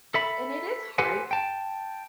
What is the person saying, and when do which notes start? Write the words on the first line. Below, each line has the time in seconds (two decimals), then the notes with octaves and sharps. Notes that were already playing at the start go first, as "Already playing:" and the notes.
And it is hard
0.14 A4 E5 B5
0.98 G4 A4 B4 C5 F#5 G#5
1.31 G5 A5